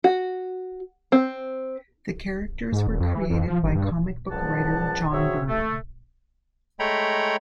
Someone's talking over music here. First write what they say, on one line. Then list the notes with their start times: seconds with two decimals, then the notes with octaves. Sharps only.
The characters were created by comic book writer John Byrne.
0.04 F#4
1.12 C4
2.72 G#2
2.87 D#1
3.00 F2
3.15 E3
3.30 F2
3.48 F3
3.63 G1
3.75 G2
4.31 C#2 A#2 F3 G3 F#5 A5
5.12 F#3 C4 F#4 G#4 C#5 E5
5.48 A3
6.80 G#3 A3 C#5 G5 A#5 B5